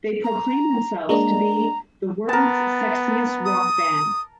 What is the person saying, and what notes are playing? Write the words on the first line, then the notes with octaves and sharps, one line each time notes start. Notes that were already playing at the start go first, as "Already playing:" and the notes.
They proclaim themselves to be "The World's Sexiest Rock Band".
A#5
G#3 A#3 D4 A#5
B3 A#4 A5
D#6